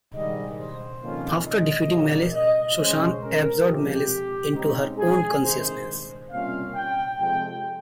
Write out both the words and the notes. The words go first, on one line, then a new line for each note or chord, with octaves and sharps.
After defeating Malice, Susan absorbed Malice into her own consciousness.
G#2 D#3 G3 D#5
C5
F2 D#3 A#3 C#4 F4
D#5
C#3 G3 A#3
D#5
C#3 G#3 C#4 C5
A#4
F2 C3 F3 G#3 C4 G4
C#3 G#3 C4 D#4
G#4
C3 D#3 G#3 C4 C5
C3 G3 A#3 C#4 F4 F5
G5
F2 C3 F3 G#3 C4 G5